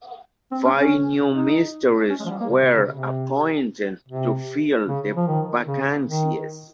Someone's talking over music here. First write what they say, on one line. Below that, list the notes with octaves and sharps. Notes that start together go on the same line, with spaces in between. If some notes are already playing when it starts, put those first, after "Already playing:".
Five new ministers were appointed to fill the vacancies.
C4
C#4
C#4
D#4
C#4
G#3
F3
G3
A#3
C3
C3
C#3
C3
C3
C#3
F3
D#3
C#3
D#3